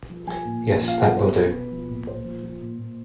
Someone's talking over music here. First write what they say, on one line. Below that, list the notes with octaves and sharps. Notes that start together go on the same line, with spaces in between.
Yes, that will do.
F3
F3 G#5
A#2
A#2
F3
F5
B2 F#5
B2 C5
B2 B4
B2
F3
A#2
A#2 C5
F3
F3
A#2
A#2